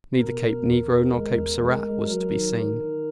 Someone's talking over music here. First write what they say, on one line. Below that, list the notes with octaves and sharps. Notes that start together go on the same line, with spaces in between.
Neither Cape Negro nor Cape Serrat was to be seen.
B2 A#4
B2
E2
E2
G#3
E2
G#3
G#3
F#3 A#4
D#3
D#3
D#3